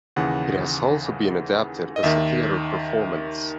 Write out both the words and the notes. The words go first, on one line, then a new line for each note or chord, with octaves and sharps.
It has also been adapted as a theatre performance.
D#2 C#3 E3 F#5
D#5
D#2 D#3 E5